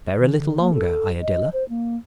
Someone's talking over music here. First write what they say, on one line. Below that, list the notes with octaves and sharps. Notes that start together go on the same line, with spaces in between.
Bear a little longer, Iadilla.
D#3
D3
A#3
A4
D#5
C5
A#3